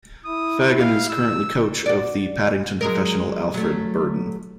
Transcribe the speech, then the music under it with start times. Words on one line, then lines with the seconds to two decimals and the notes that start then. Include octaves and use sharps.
Fagan is currently coach of the Paddington professional Alfred Burden.
0.25 E4 D#6
0.79 F5
1.09 E6
1.86 F#4 D5
2.81 F#3 G#3 A#4
3.54 F#3 A3